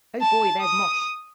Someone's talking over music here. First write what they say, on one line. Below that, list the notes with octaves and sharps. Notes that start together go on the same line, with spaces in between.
Oh boy, there's 'Mosh'.
A5
D#6